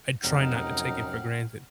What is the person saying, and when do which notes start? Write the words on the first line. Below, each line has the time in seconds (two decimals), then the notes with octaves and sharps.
I try not to take it for granted.
0.24 F1 F#2 D#4 F#5 G5 F6